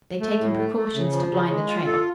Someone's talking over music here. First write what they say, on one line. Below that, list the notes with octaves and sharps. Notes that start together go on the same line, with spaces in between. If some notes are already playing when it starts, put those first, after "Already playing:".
They've taken precautions to blind the trail.
A3
A2
A3
A3
C#3
F3
C#3
G#3
F4
A4